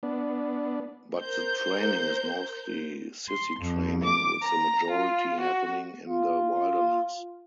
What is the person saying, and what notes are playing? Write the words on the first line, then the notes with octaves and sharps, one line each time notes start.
But the training is mostly sissi training with the majority happening in the wilderness.
B3 D4
A#4 C5 G6
C6
F2
D6
A#5
F4
F#4
F4